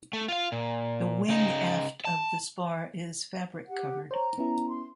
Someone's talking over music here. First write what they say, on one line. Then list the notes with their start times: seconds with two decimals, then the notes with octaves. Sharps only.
The wing aft of the spar is fabric-covered.
0.13 A3
0.28 F4 F5
0.52 A#2
1.29 C#3 D#4
2.05 A5
3.67 G4 F#5
4.11 C5 C#5 A#5
4.38 B3 C#4 E4
4.69 C6